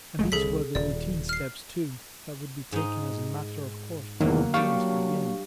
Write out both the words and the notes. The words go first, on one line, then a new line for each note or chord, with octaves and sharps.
And these were the routine steps, too, that would be taken as a matter of course by the merest beginner.
G1 G#3 A3
C2 G#4 A4 B6
D#1 D5
F6 C7
G#2 D#4
E2 D#3 F#3 A#3
F#3 G3 A3 D4 F5 C#6